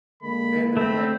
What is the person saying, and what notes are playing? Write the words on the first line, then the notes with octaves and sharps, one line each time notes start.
and then, like
D3 G#3 A#3 B5
A3 C4 B5